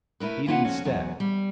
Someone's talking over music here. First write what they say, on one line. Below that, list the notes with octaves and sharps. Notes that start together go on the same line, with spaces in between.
He didn't step.
A3 E4 A#4 B4
E3 A#3 F4 B4 F#5
F2 C#4 F#4
E2 F#3
G3